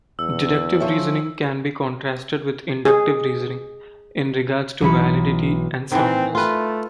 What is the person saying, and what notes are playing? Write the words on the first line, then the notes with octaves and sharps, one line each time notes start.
Deductive reasoning can be contrasted with inductive reasoning, in regards to validity and soundness.
E2 E6
F3 C#4 E5
G#4
B1 E3 B5 C#7
D#3 E3 C4
A3 F4 B4